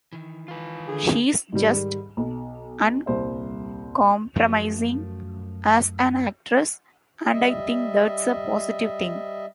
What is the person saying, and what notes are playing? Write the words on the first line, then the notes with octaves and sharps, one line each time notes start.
She's just uncompromising as an actress and I think that's a positive thing.
D#3 E3
F4 B4
D3 G#4
G#2 D#3 G3
B1
D#1 C2 C5 E5
F#2 F3 A3
G3 D#5 E5